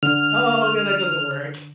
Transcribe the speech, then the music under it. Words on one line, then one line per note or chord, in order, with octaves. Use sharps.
Oh, yeah, that doesn't work.
D3 F6